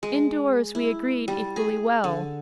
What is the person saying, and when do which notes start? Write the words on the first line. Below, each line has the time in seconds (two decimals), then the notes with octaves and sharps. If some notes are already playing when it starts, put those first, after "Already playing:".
Indoors we agreed equally well.
0.03 G#3
0.75 E4
1.28 G3
1.56 G#4
2.04 D3